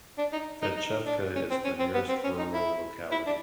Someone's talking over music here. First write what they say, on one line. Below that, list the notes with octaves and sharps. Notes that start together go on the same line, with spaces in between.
Fedchevka is the nearest rural locality.
D4
D#4
D#4
D#4
D4
C#4
C4
C#4
C4
B3
C4
C#4
D#4
E4
E4
D4